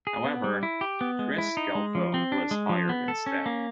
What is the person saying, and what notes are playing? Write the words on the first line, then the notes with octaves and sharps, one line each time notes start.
However, Chris Scelfo was hired instead.
G#4
B3
G3
E4
G4
B3
G#3
E4
D#4
G#3
F3
C4
D4
G#3
F3
B3
A4
C#4
A#3